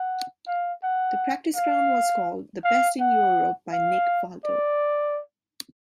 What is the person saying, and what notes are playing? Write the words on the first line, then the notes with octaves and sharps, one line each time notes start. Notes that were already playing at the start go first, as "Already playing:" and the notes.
The practice ground was called the best in Europe by Nick Faldo.
Already playing: F#5
F5
F#5
F5
F5
F#5
F5
D5